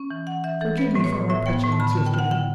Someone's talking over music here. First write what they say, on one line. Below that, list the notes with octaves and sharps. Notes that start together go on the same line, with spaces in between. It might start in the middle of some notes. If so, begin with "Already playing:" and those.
Forgive me for my petulance yesterday!
Already playing: C#4
E3
E3 F#5
E3 E5
E3 A4
B3 B4
A2 B4
C#5
A2
A2 E5
B3 G5
A2
A5
D3 B5
D3 A5
G5
D3 F#5
D3 G5